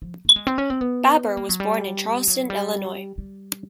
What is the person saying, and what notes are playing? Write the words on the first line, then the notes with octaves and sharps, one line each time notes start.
Baber was born in Charleston, Illinois.
F3
A3
G#3
C4
C#4
C4
B3
A#3
F#3
G3
F#3
G3
G3